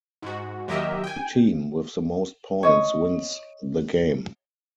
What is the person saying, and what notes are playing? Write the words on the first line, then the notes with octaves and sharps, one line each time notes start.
The team with the most points wins the game.
G#2 F#4
D#2 F#3 G4 A#4 D#5 E5
G5 G#5
C#5 D#5